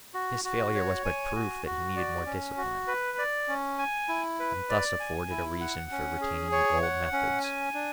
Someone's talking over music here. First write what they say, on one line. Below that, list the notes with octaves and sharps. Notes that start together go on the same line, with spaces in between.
His failure was but proof that he needed more discipline, and thus afforded a reason for retaining the old methods.
F#4
F#4
C#5
G#5
F#4
F#4
D5
C#4
F#4
B4
D5
C#4
G#5
E4
B4
D5
G#5
E4
F#5
C#4
G#4
C#5
F#5
C#4
G#5
D4